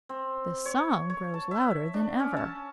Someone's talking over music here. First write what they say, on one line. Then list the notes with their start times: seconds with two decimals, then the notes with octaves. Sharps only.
The song grows louder than ever.
0.09 C4
0.66 C#5
1.10 C#5
1.34 A5
1.51 E5
1.94 D4
2.19 C#4
2.37 A5